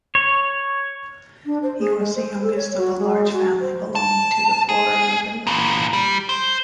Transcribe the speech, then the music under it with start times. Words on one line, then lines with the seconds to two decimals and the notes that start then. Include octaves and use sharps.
He was the youngest of a large family belonging to the poorer nobility.
0.15 C#5
1.45 D4
1.63 C5
1.79 G#4
2.00 G#3
2.15 C5
2.42 A4
2.55 C#5
2.77 F#4
2.99 G#3
3.32 F#4
3.61 C5
3.95 A5
4.69 G#4
5.47 A#2 E3
5.93 G3
6.29 C5